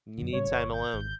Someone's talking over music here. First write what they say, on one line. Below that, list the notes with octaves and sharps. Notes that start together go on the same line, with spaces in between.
You need time alone.
F#2 D3
A2 C#3 G3 C#5
G1
G6
G#1